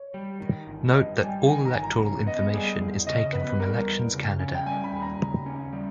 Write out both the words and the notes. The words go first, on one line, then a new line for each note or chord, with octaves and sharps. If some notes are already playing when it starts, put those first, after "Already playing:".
Note that all electoral information is taken from Elections Canada.
Already playing: C#5
G3
D#3
G1
G2 D#5
G3 G#5
G5
D#3 G#5
A#5
G1 G#5
A#5
C#3
B3 D#5
G3 G#4
E2
C#3 D#5
B3 B4
G3 A#4
E2
C#3
C#4
G5
G3 G#5
B5
D#2
A#5
C#3
C#4
G3